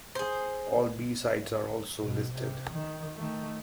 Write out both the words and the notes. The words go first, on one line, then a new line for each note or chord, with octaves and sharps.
All B-sides are also listed.
G#4 C5
B2
C3
D#3
D#3 A3